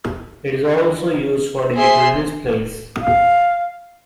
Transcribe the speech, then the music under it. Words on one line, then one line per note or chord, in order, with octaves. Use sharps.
It is also used for digital displays.
G#4 C5 E5 C6
F5